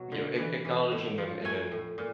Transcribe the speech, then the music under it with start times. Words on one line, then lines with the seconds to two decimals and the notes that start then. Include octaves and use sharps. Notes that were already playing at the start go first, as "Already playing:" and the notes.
you know, ac acknowledging them and then
Already playing: B2 F#3
0.12 D3
0.38 E3
0.65 E3
0.92 A2
1.18 F3
1.44 A3 G#5
1.72 A2
1.98 A#2